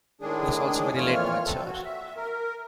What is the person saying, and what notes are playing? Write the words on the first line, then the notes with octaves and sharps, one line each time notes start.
It is also very late to mature.
A2 D#3 G#3 D4 G#4
F2 A#2 E3 F4 C#5 F6
C4 A4
F#4
E5
A#4